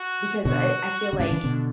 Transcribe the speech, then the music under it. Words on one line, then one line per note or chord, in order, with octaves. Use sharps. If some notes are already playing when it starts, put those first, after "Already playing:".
because, uh, eh, I feel, like,
Already playing: F#4
B2 D3 F#4
D3
A2 C#3 D4
C#3 E3
B2 D3